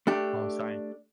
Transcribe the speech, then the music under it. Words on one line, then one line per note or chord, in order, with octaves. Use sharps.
Oh, sorry.
A3 D4 G4